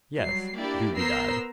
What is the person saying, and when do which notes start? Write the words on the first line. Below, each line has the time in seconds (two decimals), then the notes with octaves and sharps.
Yes, do bedad.
0.16 F#3 G3 C7
0.57 A#3 D4 E4 G4 D5
0.97 B3 A#4 C5 A#5 E6 C7